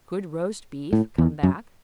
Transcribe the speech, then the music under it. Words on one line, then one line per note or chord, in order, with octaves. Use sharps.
Could roast beef come back?
A2
E2
F#2